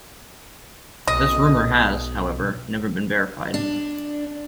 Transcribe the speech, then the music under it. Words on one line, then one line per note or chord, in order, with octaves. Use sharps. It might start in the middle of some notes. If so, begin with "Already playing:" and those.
This rumour has, however, never been verified.
B1 D#5
D4